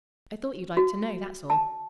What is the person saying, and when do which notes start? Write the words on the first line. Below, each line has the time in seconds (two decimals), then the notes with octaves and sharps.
I thought you'd like to know, that's all.
0.77 F#4
1.50 A5